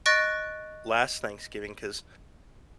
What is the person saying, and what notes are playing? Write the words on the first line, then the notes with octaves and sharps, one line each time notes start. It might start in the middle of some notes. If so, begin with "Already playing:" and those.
last Thanksgiving, 'cause
D#5 C#6 F#6 A6 A#6 D7